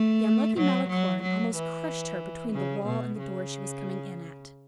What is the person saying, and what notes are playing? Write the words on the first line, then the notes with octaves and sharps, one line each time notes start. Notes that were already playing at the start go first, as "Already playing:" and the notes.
The unlucky Malicorne almost crushed her between the wall and the door she was coming in at.
Already playing: A3
F#3
F#3
F#3
E3
C#3
B2
C#3